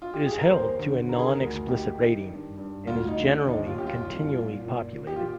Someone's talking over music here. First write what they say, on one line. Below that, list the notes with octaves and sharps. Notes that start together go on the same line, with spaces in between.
It is held to a non-explicit rating and is generally continually populated.
F4
G4
G#4
A#4
D#2 C5
D3
D#3 A#4
G#4
A#4
D2
D#3 G4
D#3
G2
G2
D2 F4
D#4
D3
D4
D#2 D#4
F4
D#2 G4
F4
C2
A#2
A#2
A#2
G4
F4